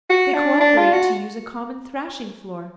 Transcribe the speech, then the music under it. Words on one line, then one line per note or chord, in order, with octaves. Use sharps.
They co-operate to use a common thrashing floor.
F#4
D4
D4
F4
F#4